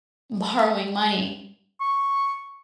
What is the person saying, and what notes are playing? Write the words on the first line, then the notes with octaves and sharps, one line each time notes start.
borrowing money
C#6